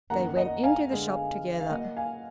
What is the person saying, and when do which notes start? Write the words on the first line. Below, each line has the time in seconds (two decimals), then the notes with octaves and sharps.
They went into the shop together.
0.10 F#2 D#3 A#3 F#5 A#5
0.37 D#5 F#5
0.63 F5 G#5
0.90 D3 G#3 B3
1.60 F5
1.70 A#2 F#3 A#3 D#5 F#5
1.96 F5 G#5